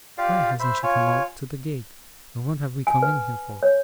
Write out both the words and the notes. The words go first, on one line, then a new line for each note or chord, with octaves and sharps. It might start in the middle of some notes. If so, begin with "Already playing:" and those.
Why hasn't she come out to the gate, and what have we come in here for?
F4 G4 D5 F5
C5 E5 B5
F4 C#5 G#5
G#5
B4
C#5